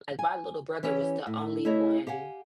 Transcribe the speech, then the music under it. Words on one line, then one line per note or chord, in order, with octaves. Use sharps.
like, my little brother was the only one
G#5
E3 C#4 G4 C#5
A2
A3 E4 C#5 D#5
G4 F5 F#5 G#5